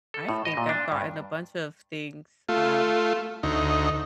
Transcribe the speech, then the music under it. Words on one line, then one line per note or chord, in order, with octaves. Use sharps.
I think I've gotten a bunch of things, um,
A4
A2
D#5
A#2
D4
G2
A3 F4
D2 D#4